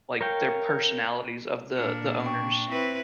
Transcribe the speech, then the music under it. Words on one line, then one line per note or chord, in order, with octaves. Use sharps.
like, their personalities of the the owners.
A#4 C#5 F5 G5
A#2 D4 F6 C#7
G5 C#6
C4 E4 B4